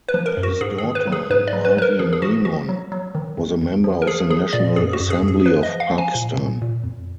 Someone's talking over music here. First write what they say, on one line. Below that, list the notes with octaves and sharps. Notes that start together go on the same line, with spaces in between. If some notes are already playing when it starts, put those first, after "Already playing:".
His daughter, Marvi Memon, was a member of the National Assembly of Pakistan.
B4
F3
A#4
F#2
F#4
G#2 G#4
G#4
D#3
B4
F#3
G#4
G#2 B4
D5
F#3
B4
F#3 B4
A#4
F3 G#4
G#4
F3 F#4
F3 F#4
F#3
F#3
D#3
F2
F2
F3
A#4
F3 G#4
F3 G#4
A#2 D5
F#2 G#4
F#4
F#2
G#4
F#2
G#4
F3 B4
D#5
F3
F5
F3
G#5
A#2
A#2
A#2
F2